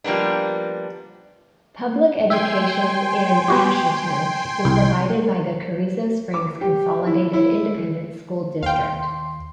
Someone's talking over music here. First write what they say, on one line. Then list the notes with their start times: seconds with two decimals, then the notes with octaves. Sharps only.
Public education in Asherton is provided by the Carrizo Springs Consolidated Independent School District.
0.04 F3 G3 A#3 B3 D4
2.30 E5 G5 G#5 C6
3.48 B3 F#4 G4
4.65 C2
6.34 D6
6.61 G4
7.06 E4
7.33 E4
8.63 D#2 F5 G5 C6